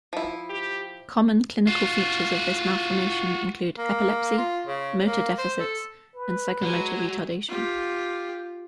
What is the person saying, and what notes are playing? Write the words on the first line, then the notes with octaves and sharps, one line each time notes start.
Common clinical features of this malformation include epilepsy, motor deficits, and psychomotor retardation.
F3 E4
G4
F4 F#4
A#3
F4
C#3
A#3
C5
A4
B4
F#3 G#3 G#5
F4 G4